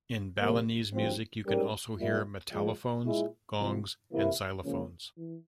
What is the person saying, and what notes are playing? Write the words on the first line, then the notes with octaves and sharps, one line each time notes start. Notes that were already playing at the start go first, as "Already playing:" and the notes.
In Balinese music you can also hear metallophones, gongs and xylophones.
E2 C3 G3 A#3
G#1 G2 F3 C4
G#2 G3 C#4 G4 A#4
A#2 G3 A#3 E4
A#2 F3 G#3
A#2 G#3 E4 G#4
C2 C3 F3
C3 E3 A#3 E4
C#2 C#3 F3 A#3 C#4
E3